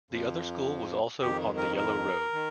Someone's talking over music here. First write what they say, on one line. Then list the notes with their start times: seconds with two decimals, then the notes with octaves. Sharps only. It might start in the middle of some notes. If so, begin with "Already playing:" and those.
The other school was also on the Yellow Road.
0.11 F2 F3
1.20 F2 D#3 G4
1.57 A#4
1.76 A#4
2.33 D#3